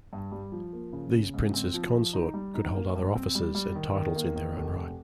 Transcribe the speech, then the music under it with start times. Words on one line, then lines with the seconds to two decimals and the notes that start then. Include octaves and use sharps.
These princes consort could hold other offices and titles in their own right.
0.13 G2
0.32 G3
0.52 F3
0.73 A#3
0.93 C#3
1.13 C#3
1.34 G#2
1.54 C4
1.74 F3
1.93 F3
2.13 D#4
2.34 G3
2.54 D#4
2.75 A#3
2.95 G2
3.15 C4
3.35 G3
3.55 G3
3.75 D#3
3.95 D#3
4.16 A#3
4.36 D#3
4.56 F1
4.76 F1